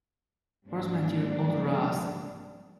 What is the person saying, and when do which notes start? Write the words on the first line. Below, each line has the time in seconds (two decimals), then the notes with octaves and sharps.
Where's my dear old Russ?
0.66 G#2 F3 G3 A#3 C4 D4